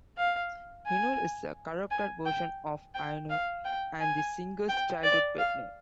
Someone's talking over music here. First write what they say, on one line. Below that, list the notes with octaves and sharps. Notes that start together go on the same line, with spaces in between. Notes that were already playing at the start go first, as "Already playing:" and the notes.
Inul is a corrupted version of Ainur, and the singer's childhood pet name.
F5
G#5
G#5
G5
G5
F5
G5
G#5
G5
D5
F5